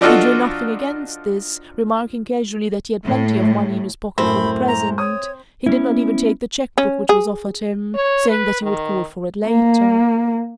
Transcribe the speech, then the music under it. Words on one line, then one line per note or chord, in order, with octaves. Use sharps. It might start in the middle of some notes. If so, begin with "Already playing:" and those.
He drew nothing against this, remarking casually that he had plenty of money in his pocket for the present: he did not even take the cheque-book which was offered him, saying that he would call for it later.
F3 D4 D#4 F4 F#4 A4
A2
F#2 A2 C4 B5
A#5
C#5 D#6
B3 C#4 E4
C#4
G#4
C#5
B4
D#3
A#3